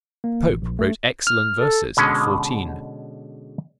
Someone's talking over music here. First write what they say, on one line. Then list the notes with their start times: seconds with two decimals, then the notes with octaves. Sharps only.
Pope wrote excellent verses at fourteen.
0.24 A#3
0.47 A1
0.62 A#1
0.79 A3
1.27 F6
1.59 A4
1.97 B2 D3 G#3 C#4